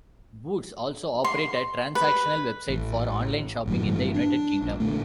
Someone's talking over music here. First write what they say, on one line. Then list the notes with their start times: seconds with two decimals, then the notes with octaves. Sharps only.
Boots also operate a transactional website for online shopping in the United Kingdom.
1.24 C6
1.95 B4
2.69 A1
3.66 G1 A2 F#3
3.86 G2 E3
4.14 D4
4.62 A#1
4.80 A#2 D3 A3